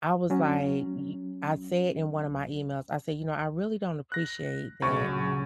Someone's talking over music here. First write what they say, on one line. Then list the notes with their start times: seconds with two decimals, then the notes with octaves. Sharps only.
I was like, y y I said in one of my emails, I said, "You know, I really don't appreciate that
0.30 F#3 C#4
4.12 F#6 A#6
4.82 D2 A#2 C#3 F#3 C#6